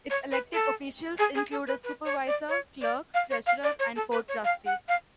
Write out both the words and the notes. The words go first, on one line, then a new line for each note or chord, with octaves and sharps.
Its elected officials include a Supervisor, Clerk, Treasurer and four trustees.
C#5
B4
A4
G#4
G#4
A4
B4
B4
C#5
D5
C#5
D5
F5
C#5
F5
D5
C#5
A4
B4
C#5
F5
F#5
F5